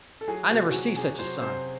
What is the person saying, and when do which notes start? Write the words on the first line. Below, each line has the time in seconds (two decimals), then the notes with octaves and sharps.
I never see such a son.
0.21 A4
0.28 F#3 G#4
0.50 C3 F#4
0.69 F#4
0.72 F#3 G#4
0.96 C3 G#4
1.19 F#3 C5
1.41 C3 C5